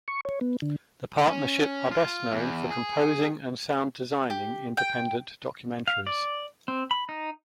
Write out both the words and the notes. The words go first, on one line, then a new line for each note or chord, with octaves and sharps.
The partnership are best known for composing and sound designing independent documentaries.
C#6
C#5
B3
D3
C#4
F4
E2
G#4
G4
G5
F5
D5
C4
B5
D#4